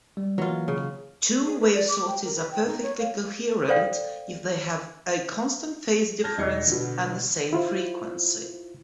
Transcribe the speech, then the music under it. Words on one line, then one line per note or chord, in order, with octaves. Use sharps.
Two-wave sources are perfectly coherent if they have a constant phase difference and the same frequency.
G3
E3 F#3 A#3 F4
C#3
G#4
B4
D5
D6
G5
A#4
B4
G5
D#4
C#5
F5
A4 C5 D5 F5 G5
A5 F6 G6 G#6 A#6
E1 D#4 D5 G#6 C7 C#7
B2 D3
E4 F4 C5